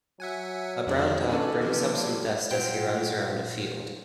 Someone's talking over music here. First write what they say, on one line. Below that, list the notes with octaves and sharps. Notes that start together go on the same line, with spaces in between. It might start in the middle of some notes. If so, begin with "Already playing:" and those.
A brown dog brings up some dust as he runs around a field.
F#3 E5 F#5 G#5
F2 D#3 G#3 D4
C#4 D4 A4 B4
F3 A#3 B3
G3
A#2 F#3 F4 C5 G5